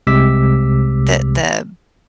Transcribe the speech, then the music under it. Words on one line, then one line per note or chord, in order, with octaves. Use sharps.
the the
C2 C3 G#3 D6 E6 B6